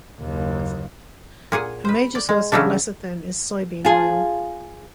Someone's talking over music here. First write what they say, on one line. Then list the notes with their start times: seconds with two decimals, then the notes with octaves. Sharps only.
A major source of lecithin is soybean oil.
0.20 F#1 D#2
1.52 A#2 G#4 F#5 G#5
1.85 B4 C5
2.15 D5
2.29 G#3
2.52 C#3 E3 F#3 A3 D4
3.85 F4 G#4